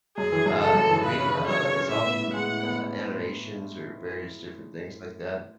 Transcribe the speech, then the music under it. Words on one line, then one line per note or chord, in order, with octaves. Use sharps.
uh, for me, uh, it's often, uh, animations or various different things like that,
F#2 G#4
E3
F#2
C#3 A4
F#2
E3
C#3 B4
C#4
C#3
F#3 C#5
C#3
C#4
A2 E5
B3
A2
G#3 F#5
A2
B3